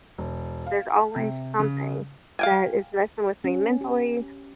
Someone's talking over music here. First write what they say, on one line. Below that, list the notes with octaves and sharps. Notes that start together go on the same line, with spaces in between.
there's always something that is messing with me mentally
E1
F5
C3
C#3
F5 G5 G#5
C#4
G4